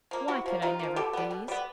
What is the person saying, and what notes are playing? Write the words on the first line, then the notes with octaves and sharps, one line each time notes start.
Why could I never please?
F3 A#3
C3 E4 F#4
F3 A#3
C3 D#4 F4
F3 A#3
B2 G4 A4
G3 B3
B2
G3 B3